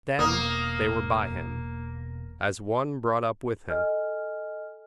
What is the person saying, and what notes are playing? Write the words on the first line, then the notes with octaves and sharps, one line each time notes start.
Then they were by him, as one brought up with him.
E1 A#3 D#6
A4 D#5 G#5 F6